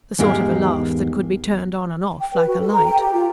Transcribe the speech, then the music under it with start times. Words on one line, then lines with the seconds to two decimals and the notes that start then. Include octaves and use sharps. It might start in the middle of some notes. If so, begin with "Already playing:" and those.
The sort of a laugh that could be turned on and off, like a light.
0.19 E2 G#2 G#3 G4 A#4 F5
2.19 G5
2.33 B4
2.47 F#4
2.60 A4
2.72 A#5
2.85 G5
2.99 G4
3.13 F4